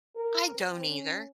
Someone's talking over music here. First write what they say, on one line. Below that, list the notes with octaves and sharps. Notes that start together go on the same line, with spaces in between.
I don't either.
A#4
C4
C#4